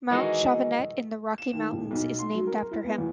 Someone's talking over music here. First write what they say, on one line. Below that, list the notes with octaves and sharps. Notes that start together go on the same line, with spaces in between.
Mount Chauvenet in the Rocky Mountains is named after him.
D#3 E3 G#3 D#4 F#4 G#4
E7
D#2
D#1
B1
C6
F#3
A#4
E4
B3
E2